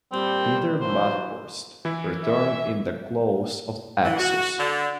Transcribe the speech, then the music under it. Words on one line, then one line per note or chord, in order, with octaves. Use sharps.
Peter Bathurst returned in "The Claws of Axos".
A#2 G3 C4
G2 E3 F#3 C5
E3 E4
E5
E3
F#4
D3